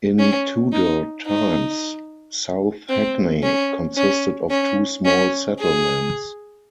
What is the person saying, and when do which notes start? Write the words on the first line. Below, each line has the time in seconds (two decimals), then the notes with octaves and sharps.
In Tudor times, South Hackney consisted of two small settlements.
0.19 C#4
0.72 D#4
1.26 D#4
2.89 C4
3.43 C#4
3.97 C#4
4.50 C#4
5.05 C#4
5.59 G#4